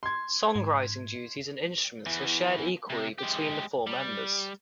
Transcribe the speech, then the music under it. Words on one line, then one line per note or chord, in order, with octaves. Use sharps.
Song-writing duties and instruments were shared equally between the four members.
C6 G#6
G#2
E2 E3
C3
G#3 G4
G3